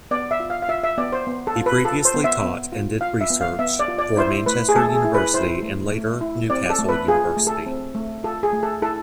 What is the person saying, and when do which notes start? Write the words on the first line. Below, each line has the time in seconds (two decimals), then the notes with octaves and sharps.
He previously taught and did research for Manchester University and later Newcastle University.
0.11 B3 D5
0.31 E5
0.40 F4
0.50 F5
0.62 F5
0.68 F4 E5
0.84 E5
0.98 B3 D5
1.12 C5
1.27 B3
1.47 A4
1.56 F4
1.66 B4
1.85 F4 A4
2.05 C5
2.14 B3
2.24 E5
2.43 B3
2.72 F4
3.01 F4 F5
3.21 E5
3.30 B3
3.41 F5
3.59 B3 E5
3.79 D5
3.88 F4
3.99 D5
4.17 E4 C5
4.46 A3 B4
4.69 G#4
4.76 A3 A4
4.95 G#4
5.05 E4
5.15 B4
5.34 E4 C5
5.63 A3
5.92 A3
6.21 E4
6.50 C4 D5
6.70 A4
6.79 A3
6.89 B4
7.08 F4 G#4
7.37 A3
7.47 A4
7.66 C4
7.95 A3
8.24 F4 A4
8.43 G#4
8.53 A3
8.63 A4
8.82 E4 A4